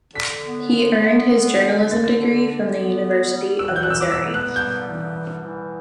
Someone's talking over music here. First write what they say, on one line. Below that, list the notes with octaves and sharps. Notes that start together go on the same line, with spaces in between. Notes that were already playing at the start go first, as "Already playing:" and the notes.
He earned his journalism degree from the University of Missouri.
D3 B6
B3
D3
B3
D3
D3
D3 A6
D3
D3
B3
G3
G3
E6
E3 F#6
G6
F#6
E6
G3 D6
E6
B3
F#6
G3 G6
E3
G3
E3